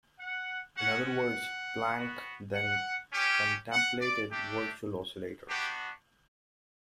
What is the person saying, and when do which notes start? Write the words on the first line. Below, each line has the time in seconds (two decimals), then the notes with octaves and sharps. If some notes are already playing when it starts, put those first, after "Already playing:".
In other words, Planck then contemplated virtual oscillators.
0.18 F#5
0.77 C#4 F#4 F#5
1.07 F#5
1.95 B3 F#4
2.53 F#5
3.12 C#4 G4
3.72 F#5
4.01 D5
4.30 A3 D4 G4
5.48 B3 D4 F#4 G4